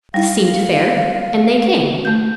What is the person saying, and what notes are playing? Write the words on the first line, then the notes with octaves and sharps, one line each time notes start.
This seemed fair, and they came.
G3 F5
A3 G6